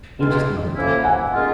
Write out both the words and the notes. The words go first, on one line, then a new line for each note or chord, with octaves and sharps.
you just never know.
E2 B2 G#3 C4 F4
A2 F3 A#3 C#4 E4
F#5 G#5
D#3 G#3 C#4 F4